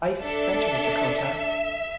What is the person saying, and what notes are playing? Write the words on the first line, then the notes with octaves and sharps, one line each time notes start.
Ice Center, Dakotah!
D4 A4 E5